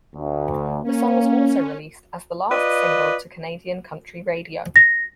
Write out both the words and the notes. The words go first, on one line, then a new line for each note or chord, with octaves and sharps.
The song was also released as the last single to Canadian country radio.
D2
A#3 C#4
F4 B4 D5 D#5
A#6